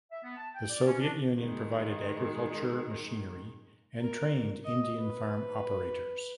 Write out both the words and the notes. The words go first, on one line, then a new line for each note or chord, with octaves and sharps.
The Soviet Union provided agriculture machinery and trained Indian farm operators.
E5
B3
A5
G5
D5
C#4
D4
D#3 G#3
A#4
D#5
B4